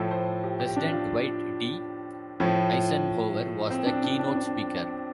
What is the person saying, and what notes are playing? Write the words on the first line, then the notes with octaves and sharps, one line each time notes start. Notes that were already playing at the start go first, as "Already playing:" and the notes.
President Dwight D. Eisenhower was the keynote speaker.
Already playing: A2 F3 A4
C5
G4
G4
D4
F4
A2 F3
C4
D4
D4
D4
D4